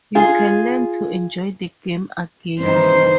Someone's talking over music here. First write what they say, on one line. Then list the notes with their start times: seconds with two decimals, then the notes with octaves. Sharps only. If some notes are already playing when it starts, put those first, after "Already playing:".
You can learn to enjoy the game again.
0.15 F4 G#4
2.60 G2 D#3 E3 C4 C5